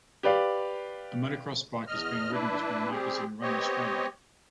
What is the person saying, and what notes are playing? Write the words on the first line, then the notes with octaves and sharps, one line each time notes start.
A motocross bike is being ridden between markers in a running stream.
G4 B4 D5 F5
E2 D#5 F6
D4 E4 B4
G3 C4 G4 G#4
B3 C4 G4 C#5 D#5